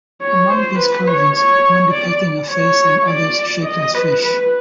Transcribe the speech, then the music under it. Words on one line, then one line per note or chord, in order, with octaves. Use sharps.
Among these carvings, one depicting a face and others shaped as fish.
C#5
C5
B4
C#5
C#5
D5
C#5
D5
D#5
B4
B4